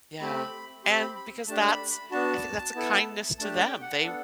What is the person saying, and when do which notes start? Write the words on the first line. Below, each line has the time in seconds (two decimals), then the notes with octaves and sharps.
Yeah, and because that's I think that's a kindness to them, they
0.20 A3 C4 G4 B5
0.84 C4 G4 C6
1.00 B5
1.16 B5
1.47 A3 D4 G4 A5
1.68 B5
1.91 B5
2.12 B3 D4 F#4 A5
2.75 B3 E4 A4
3.39 A3 D4 G4 A5
3.61 G5
3.82 F#5
4.02 B3 D4 A4